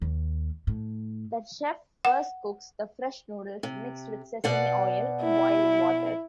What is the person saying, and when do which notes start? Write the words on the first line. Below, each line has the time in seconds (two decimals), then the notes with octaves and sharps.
The chef first cooks the fresh noodles mixed with sesame oil in boiling water.
0.02 D#2
0.67 A2
2.05 F#5
3.63 C3
4.44 B2 D5 F#5
5.22 E4